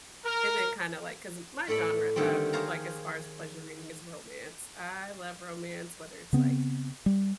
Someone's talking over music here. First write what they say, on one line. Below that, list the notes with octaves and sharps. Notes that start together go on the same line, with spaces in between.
and then kinda like 'cause my genre, um, like, as far as pleasure reading, is romance. I love romance, whether it's, like,
A#4
A2 A3 A4 D5 B5
D3 D#3 G3 A3 C4
G#4 C5 C#5 F5 A5 A#5
C#3 B3 C4
G3